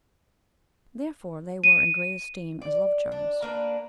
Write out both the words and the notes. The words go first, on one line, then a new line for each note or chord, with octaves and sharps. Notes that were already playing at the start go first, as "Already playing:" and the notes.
Therefore they were in great esteem as love charms.
D#7
D5
D4
A#3 D4 B4